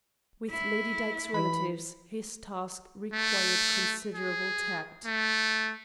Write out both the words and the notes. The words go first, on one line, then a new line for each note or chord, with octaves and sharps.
With Lady Dyke's relatives his task required considerable tact.
E4
E3 B5
A3
G#4
A3